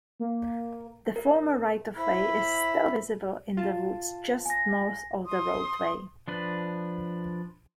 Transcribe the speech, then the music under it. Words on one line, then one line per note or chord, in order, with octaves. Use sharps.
The former right-of-way is still visible in the woods just north of the roadway.
A#3
A#4
E4 C5 E5 B5
F4 A5
G#5 A#6
C6 D#6
F3 D4 B4